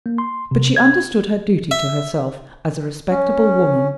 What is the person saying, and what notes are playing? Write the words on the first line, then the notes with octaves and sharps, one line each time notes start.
But she understood her duty to herself as a respectable woman.
A#3
C6
C3
G#6
E5
C#4